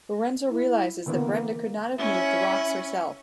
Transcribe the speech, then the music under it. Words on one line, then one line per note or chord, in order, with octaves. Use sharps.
Lorenzo realizes that Brenda could not have moved the rocks herself.
E4
D3 E3 A#3 B3
C#4 E4